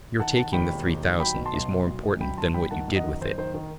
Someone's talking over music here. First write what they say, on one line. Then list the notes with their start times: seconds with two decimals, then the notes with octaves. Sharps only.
Your taking the three thousand is more important than what you did with it.
0.19 D#3 F#5 A5
0.36 D#3 F#5 A5
0.53 D#2 G5 B5
0.70 E1
0.87 D#2
1.04 D#3
1.20 F#3 G5 B5
1.37 B2
1.46 A5 C6
1.54 B1
1.71 B2
1.87 B1
2.03 B1
2.20 F#2 G5 B5
2.37 G1 A5 C6
2.54 G1 G5 B5
2.71 D#3 F#5 A5
2.88 F#2
2.96 D#5 F#5
3.04 D#3
3.21 F#1 C5
3.38 D#3 C5
3.54 D#3